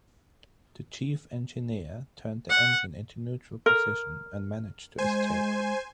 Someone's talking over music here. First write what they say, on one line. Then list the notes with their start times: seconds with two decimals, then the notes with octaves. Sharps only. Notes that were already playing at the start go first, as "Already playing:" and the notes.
The Chief Engineer turned the engine into neutral position and managed to escape.
2.50 F#5
3.66 A#4
4.98 G#3 C5 G#5